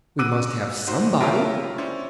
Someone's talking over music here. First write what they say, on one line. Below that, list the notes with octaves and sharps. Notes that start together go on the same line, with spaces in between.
"We must have somebody!"
F#4 D6 E6 F#6 D#7
G#2 F#4 C5
E4 F4 G4 A#4 C#5 E5
C#4 E4 C5 D5